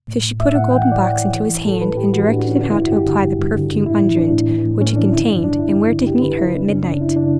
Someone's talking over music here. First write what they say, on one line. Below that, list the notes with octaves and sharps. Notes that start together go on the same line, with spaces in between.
So she put a golden box into his hand, and directed him how to apply the perfumed unguent which it contained, and where to meet her at midnight.
A2
A2
A2 E5
A2 F#5
E3 G5
F#5
E3
D5
E3 C#5
E3
E3
E3
A2 A4
E3 B4
A2 G4
E3 F#4
A2 D4
F#4
E3 C#4
D3 D4
E4
G2
F#4
G2 G4
D3
G2
G2
D3
D3
A2 E4
E3
E3 D4
A2
E3
A2
A2 C#4
E3 D4
D3 E4
G2 D4
G2 D4
G2 E4
G2
D3
G2 G4
D3 B4
C#3 E4
F#2 D4
C#3 C#4
C#3 D4
F#2 E4
C#3 D4